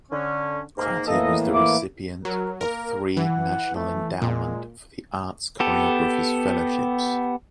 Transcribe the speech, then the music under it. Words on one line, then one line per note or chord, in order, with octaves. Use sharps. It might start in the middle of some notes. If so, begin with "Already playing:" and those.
Cratty was the recipient of three National Endowment for the Arts Choreographer's Fellowships.
D3 C#4
G#2 A#3
A2 E3 A#3 A4 D#5
E4 D6
F#3 A#4
A#3 A#4
E3 F#5
A3
A#2 G#3
B3 G4 A4